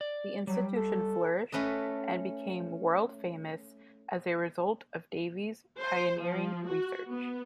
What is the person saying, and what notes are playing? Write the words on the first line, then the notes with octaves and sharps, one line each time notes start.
The institution flourished and became world-famous as a result of Davy's pioneering research.
D5
F#3 G3
A4
A3 C#4 B4 D#5
C5
F3
F#4
B3